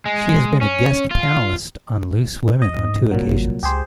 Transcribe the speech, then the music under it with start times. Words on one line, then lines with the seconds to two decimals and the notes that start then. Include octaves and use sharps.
She has been a guest panellist on "Loose Women" on two occasions.
0.06 G#3
0.61 C#4
1.11 F4
2.62 D#5
2.77 G#2
3.11 C2 A#2 F#3
3.28 G#1
3.63 C#2 G4 G#4 C5